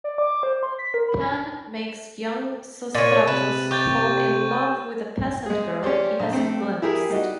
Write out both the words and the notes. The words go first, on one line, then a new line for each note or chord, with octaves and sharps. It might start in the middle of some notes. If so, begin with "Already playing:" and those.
Pan makes young Sostratos fall in love with a peasant girl he has glimpsed.
D5
D6
C5
C6
B6
A#4
B5
A#2 C#5 A6 D#7
C3 B4 E7
G4 C#6 G6 A6
G#3 G#4
C#4 G4 C5 D5
A#1
A3 C4
E4 G4 G#4 A#4
G3 D#4 F#4